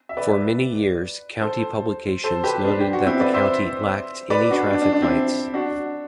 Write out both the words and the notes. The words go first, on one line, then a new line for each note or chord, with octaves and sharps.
For many years, county publications noted that the county lacked any traffic lights.
E5
B4 D5
A4 C5
A4 C5
G4 B4
D4
G4
F#4
C4 E4
B4 D5
C5 E5
B4 D5
D4 F#4
D4
D4
D4
C4 E4
D4 F#4